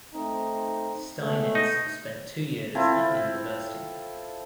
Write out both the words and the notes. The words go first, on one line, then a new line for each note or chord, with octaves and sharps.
Steinitz spent two years at the university.
A3 C4 D#4
B2 G#3 A3
D#4
C4 E4 F4 A4